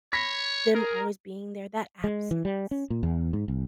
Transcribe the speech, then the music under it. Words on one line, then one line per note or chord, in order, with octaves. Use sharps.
them always being there, that absence
C#5 B5 A#6 B6
G#4 A#4
G#3
E3
G3
C#4
A#2
E2
G#2
C2